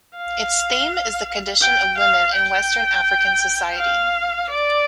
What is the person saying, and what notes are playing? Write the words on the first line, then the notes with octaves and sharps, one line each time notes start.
Its theme is the condition of women in Western African society.
F5
G5
F5
G5
F5
D5